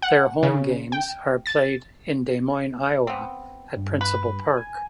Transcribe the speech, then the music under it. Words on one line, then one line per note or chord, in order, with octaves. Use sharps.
Their home games are played in Des Moines, Iowa, at Principal Park.
F#5
C#3
G5
A6
B3 C4
G2
B4
G#5